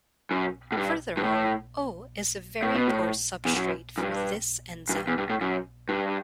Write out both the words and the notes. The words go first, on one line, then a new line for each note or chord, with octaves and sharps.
Furthermore, O is a very poor substrate for this enzyme.
F#2
A2
G2
G2
A2
A2
B2
A2
E2
F#2
F#2
G2
F#2
G2
E2
G2
A2
F#2
G2